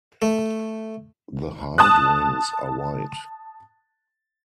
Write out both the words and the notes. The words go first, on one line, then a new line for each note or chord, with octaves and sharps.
The hindwings are white.
A3
A5 D#6 F#6